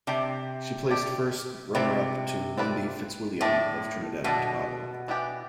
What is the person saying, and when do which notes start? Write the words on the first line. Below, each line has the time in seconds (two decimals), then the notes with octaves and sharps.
She placed first runner-up to Wendy Fitzwilliam of Trinidad and Tobago.
0.07 C3 D4 G4 D5
0.90 D4 G4 D5
1.75 C3 C4 F4 B4 D5
2.57 C4 F4 B4 D5
3.41 A2 A3 D4 A4 D5
4.24 B2 A3 D4 A4 D5
5.08 E3 B3 D4 G4 D5